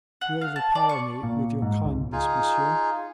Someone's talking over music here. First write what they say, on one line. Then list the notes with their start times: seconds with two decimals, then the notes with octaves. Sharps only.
"You overpower me with your kindness, monsieur."
0.21 F#5
0.41 F5
0.56 A5
0.75 D5
0.89 C#6
1.23 A#2
1.62 G#2
1.85 C#2
2.12 D#4 F4 G#4